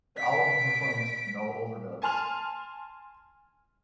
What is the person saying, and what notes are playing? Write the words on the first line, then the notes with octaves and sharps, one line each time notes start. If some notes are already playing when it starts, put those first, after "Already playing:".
The album proclaims: No overdubs.
B6 D7
G#5 A5 C6 F6 F7